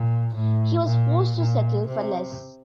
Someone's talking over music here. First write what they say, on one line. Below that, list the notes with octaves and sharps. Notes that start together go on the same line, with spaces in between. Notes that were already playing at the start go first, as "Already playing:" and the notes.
He was forced to settle for less.
Already playing: A#2
A2
A#2
A#2
C3